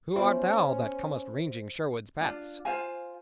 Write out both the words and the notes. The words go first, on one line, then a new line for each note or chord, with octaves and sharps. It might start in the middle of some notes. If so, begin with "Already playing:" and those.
Who art thou that comest ranging Sherwood's paths?
B3 C#4 F4 F#4 C5 E5 B5
D4 F4
F4 C5 F5 G#5